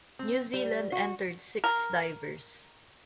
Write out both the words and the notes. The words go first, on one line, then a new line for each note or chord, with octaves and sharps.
New Zealand entered six divers.
C4
G3
F#4
A#4